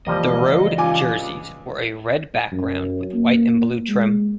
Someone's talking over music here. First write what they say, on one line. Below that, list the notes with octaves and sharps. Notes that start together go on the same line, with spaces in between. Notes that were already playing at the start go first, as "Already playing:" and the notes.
The road jerseys were a red background with white and blue trim.
C#3 E3 F3 G3 G#3 A#3 D#5
C#2 F4 G#5 D6
F#2
A#3
G#3